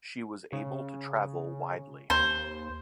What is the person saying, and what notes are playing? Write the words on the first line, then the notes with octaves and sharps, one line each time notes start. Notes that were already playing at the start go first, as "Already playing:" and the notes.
She was able to travel widely.
C#3
D#2 C5